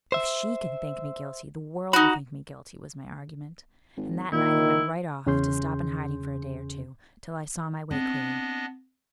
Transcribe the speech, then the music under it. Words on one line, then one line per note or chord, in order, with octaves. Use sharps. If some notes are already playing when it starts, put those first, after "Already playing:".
'If she can think me guilty, the world will think me guilty,' was my argument; and that night I went right off, to stop in hiding for a day or two, till I saw my way clear.
C5 E5
D#4 F#4 B5
G#1
A#2 D#3 E4
E2 C#3 C#4 G#4 C6 G6
B3 C4 D4 D#5